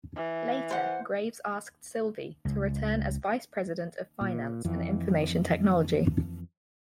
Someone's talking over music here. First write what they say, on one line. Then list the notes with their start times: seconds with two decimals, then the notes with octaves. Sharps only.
Later, Graves asked Silvey to return as vice president of finance and information technology.
0.16 E3
0.71 C5 F#5
2.45 C#2
4.21 A#2
4.65 F2 E3